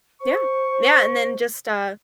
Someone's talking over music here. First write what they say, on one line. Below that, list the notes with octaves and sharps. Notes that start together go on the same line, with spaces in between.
Yeah. Yeah, and then just, uh,
C5 C#6